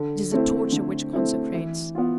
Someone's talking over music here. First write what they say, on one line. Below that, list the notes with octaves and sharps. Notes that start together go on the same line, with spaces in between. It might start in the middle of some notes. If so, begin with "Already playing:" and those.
It is a torture which consecrates.
Already playing: D3
A3 C4 E4
D3
A3 C4 E4
E3
B3 F4